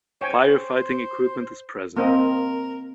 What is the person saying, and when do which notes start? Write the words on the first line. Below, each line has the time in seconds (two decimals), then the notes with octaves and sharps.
Fire fighting equipment is present.
0.21 C5 C#5 G5 G#5
1.97 A#3 C4 A#4 D#5